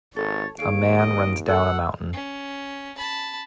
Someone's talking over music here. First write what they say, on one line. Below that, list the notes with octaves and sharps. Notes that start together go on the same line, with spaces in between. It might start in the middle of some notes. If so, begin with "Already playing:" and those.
A man runs down a mountain.
G#1 A4 C#5 A6
D#2 G#4 C#5 F5 D7
D#5
F#4 A4 F#5 E6
C#4
A5 B5